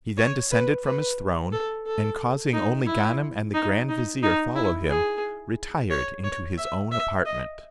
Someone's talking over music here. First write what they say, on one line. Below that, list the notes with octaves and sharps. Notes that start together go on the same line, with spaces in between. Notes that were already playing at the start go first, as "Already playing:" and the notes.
He then descended from his throne, and causing only Ganem and the grand vizier, follow him, retired into his own apartment.
C#5
B4
B4
A4
A4
D#4
E4
D#4
D#4
D#4
E4
G#4
C#5
C#5
E5
E5
D#5